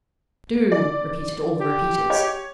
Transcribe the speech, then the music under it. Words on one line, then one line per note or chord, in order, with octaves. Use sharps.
"Doo!" repeated all the repeaters.
D5
G4
C#5